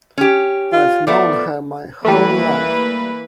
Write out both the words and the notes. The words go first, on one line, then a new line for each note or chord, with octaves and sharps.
I've known her my whole life.
C#4 G4
F4
F3 A3 B3 D5
E3 G3 A3 A#3 B4